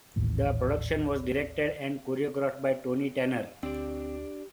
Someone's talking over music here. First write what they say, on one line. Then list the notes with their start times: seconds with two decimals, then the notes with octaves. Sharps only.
The production was directed and choreographed by Tony Tanner.
0.16 D#1 A1 D#2 A2
3.63 D2 C4 D4 G4 D5